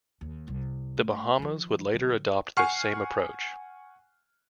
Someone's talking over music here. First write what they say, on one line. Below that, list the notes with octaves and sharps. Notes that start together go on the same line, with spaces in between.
The Bahamas would later adopt this same approach.
D#2
C2
A3
D#3 F3
D3 F#3
F#5 G#5 C#6 F6 C7